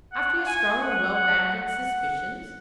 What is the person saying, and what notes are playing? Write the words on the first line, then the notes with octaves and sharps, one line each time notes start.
"After your strong and well-grounded suspicions?"
F#5
G#5
F#5
F#5
F#5